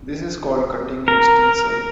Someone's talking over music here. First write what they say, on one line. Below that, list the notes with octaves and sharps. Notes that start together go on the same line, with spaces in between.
This is called cutting a stencil.
A#4